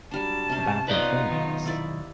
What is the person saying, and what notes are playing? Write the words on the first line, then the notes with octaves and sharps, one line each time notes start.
a bathroom cleanliness?
F#3 G3 D4 A5
C3 C#4
B3 D#4 F4 B4 D5 D#5
B1 D#3
E4 D5 E5